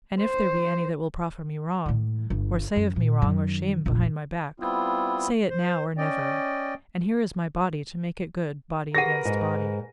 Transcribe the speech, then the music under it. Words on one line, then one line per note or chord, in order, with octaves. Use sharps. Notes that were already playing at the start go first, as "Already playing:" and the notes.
And if there be any that will proffer me wrong, or say of me wrong or shame behind my back, say it now or never, and here is my body to make it good, body against body.
C5
A2 E3
G1
F#2
A#2
F#2 D#3
F1 A#1
G3 B3 C4 E4 F4
C5
C#4 D5 D#5 G5
G4 G#4 A#4 B4 F#5 A#6 D#7
G#2